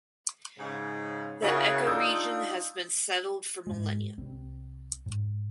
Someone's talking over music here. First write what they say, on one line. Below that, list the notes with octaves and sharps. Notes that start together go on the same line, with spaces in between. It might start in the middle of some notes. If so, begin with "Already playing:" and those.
The ecoregion has been settled for millennia.
G#2 C#3
C#3 E4 F#4 A#4
D4 D#4 F4 D#6 E6 G6
G#2 G#3
C2 C4
G#2